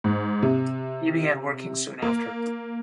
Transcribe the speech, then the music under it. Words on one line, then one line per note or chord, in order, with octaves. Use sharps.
He began working soon after.
G#2
C3
A#3